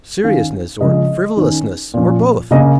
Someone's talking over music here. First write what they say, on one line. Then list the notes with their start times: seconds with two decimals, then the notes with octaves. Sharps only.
Seriousness or frivolousness or both.
0.24 D#3 C#4 F5
0.81 C#3 F3 G#3 C#4 D#5
1.37 D#3 C#4
1.94 A#2 F3 C#4
2.51 C#3 A#3 C#4 D#5